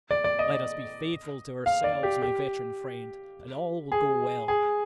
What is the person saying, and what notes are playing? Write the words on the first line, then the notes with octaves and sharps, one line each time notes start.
Let us be faithful to ourselves, my veteran friend, and all will go well.
D5
D5
D#5
F5
D5
G4
G4
G#4
G#4